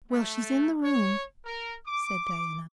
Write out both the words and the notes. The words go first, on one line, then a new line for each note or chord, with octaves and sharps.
"Well, she's in the room," said Diana.
A3
C#5
A#4
D6